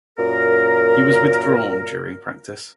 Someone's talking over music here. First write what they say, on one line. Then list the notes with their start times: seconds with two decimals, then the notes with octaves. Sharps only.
He was withdrawn during practice.
0.19 F#2 A#2 A#4